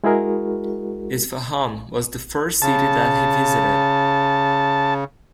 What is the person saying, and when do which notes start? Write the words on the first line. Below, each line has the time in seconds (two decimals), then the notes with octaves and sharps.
Isfahan was the first city that he visited.
0.04 G#3 E4 F#4 G#4 A#4
2.62 C#3 A5